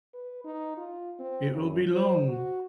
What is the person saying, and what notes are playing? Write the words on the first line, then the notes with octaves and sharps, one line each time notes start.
It will be long.
B4
D#4
F4
C4
F#2
C5
F#4